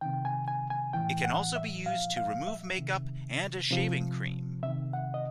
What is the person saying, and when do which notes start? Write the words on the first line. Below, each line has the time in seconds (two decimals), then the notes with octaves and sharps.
It can also be used to remove makeup and as shaving cream.
0.01 C3 D#3 G5
0.25 G#5
0.48 G#5
0.70 G#5
0.93 A2 E3 G5
1.24 F#5
1.56 E5
1.86 A#2 F3 F5
2.17 F5
2.47 E5
2.78 C3 D#3
3.71 C3 F3
4.63 C3 D#3 E5
4.93 F#5
5.14 D#5